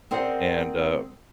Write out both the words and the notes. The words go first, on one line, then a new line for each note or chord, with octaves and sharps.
and, uh,
C4 G#4 A#4 C5 D5 F#5